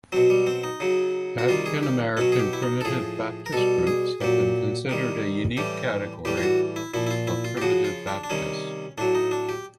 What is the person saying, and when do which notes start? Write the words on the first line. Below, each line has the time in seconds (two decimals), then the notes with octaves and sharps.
African-American Primitive Baptist groups have been considered a unique category of Primitive Baptist.
0.12 B2 F#3 C4
0.30 G3
0.47 C4
0.64 D#4
0.80 C#3 F#3
1.38 F#4
1.48 C3 D#3 G3 F4
1.66 G#4
1.83 G4
2.17 B2 F#3 C#4
2.32 G#4
2.39 G4
2.53 E4
2.63 D#4
2.81 A4
2.85 A2 F3 G#4
3.46 A#4
3.53 B2 G3 A4
3.87 G#4
4.21 A#2 F#3 G4
4.89 C3 D#3 G3
5.57 A2 E3 G3 G4
6.25 A2 E3 G3 G4
6.37 F4
6.43 F#4
6.76 E4
6.94 A#2 F3 E4
7.07 E4
7.11 F4
7.27 E4
7.45 F4
7.57 G4
7.61 C#3 F3 F#4
7.84 F4
8.07 D4
8.24 D4
8.30 C3 D#3 G3 C#4
8.98 A2 F#3 D4
9.15 D#4
9.31 D4
9.49 G4